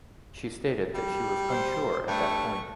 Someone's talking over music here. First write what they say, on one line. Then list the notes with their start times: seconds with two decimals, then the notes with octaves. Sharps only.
She stated that she was unsure at that point.
0.94 G3
1.49 C5
2.08 G2 A3 C#6